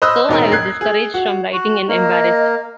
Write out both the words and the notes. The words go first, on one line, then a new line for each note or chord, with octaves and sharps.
So I was discouraged from writing and embarrassed.
C5 D#5 B5 D#6 E6 F#6
E1 D#4 A#4
F#6 G#6 C7
G#4
F#4
F#4
A#3 D#5